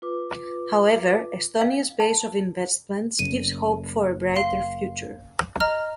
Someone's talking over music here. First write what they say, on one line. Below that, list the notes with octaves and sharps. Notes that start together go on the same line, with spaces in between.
However, Estonia’s base of investments gives hope for a brighter future.
F4 B4 D6
F5
A5
F#1 D#7
F5 C6 C7
D#5 A#5 F6